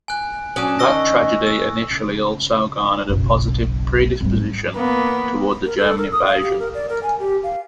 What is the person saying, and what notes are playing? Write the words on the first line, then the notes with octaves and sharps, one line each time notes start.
That tragedy initially also garnered a positive predisposition toward the German invasion.
G#5 F#6
F#3 C#4 D4 G#5 D#6 F#6
D#3 C#6 E6 A#6
E6
C#3
F#1 B1
G#1 G3
A#3 B3
A#4
A4
A#4
D#6
F5
G4
A#4
D5
A#4
G#5
G4
F5